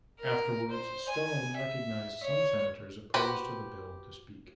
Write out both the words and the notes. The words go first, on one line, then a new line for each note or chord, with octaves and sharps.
Afterwards Stone recognized some senators opposed to the bill to speak.
A#4
C5
G#5
E5
C#5
F#4 G4 B4 C5 G5